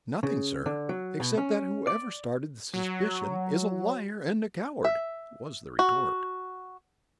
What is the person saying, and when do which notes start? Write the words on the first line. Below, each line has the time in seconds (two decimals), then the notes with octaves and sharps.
"Nothing, sir, except that whoever started the suspicion, is a liar and a coward!" was the retort.
0.23 C#3
0.66 D3
0.89 F#3
1.20 B2
1.37 C#4
1.87 D5
2.74 F#3
4.85 E5
5.79 F#4